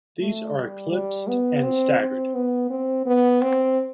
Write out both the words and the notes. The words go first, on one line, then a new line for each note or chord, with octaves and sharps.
These are eclipsed and staggered.
A3
G3
G3
B3
C4
C4
B3
C4
B3
C4